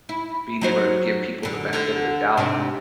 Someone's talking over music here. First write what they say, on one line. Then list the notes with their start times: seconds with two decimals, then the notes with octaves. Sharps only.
being able to give people the benefit of the doubt,
0.09 E4
0.61 F#3 D#4 C5
1.43 F#2 D3
1.73 D3
2.37 G#2 C3 D4